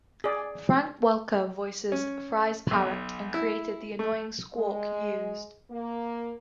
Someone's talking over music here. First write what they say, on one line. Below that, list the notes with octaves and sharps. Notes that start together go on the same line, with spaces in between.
Frank Welker voices Fry's parrot and created the annoying squawk used.
G#4 D5
C#4
B1
E4
A3
G#3
A#3